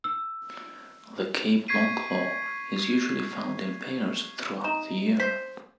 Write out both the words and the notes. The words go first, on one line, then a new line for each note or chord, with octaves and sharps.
The Cape longclaw is usually found in pairs throughout the year.
E6
C#6 G#6 B6 C7 D#7
D#4 A#5
C5 B6